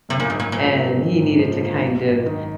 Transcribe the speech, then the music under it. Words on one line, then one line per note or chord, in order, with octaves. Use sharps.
and he needed to kind of
F#2 C3
A#2
G#1 G#2
A#2
A#2 F3
A#3
F#2
G#1
F3
A#3
F#2
G#1
D#3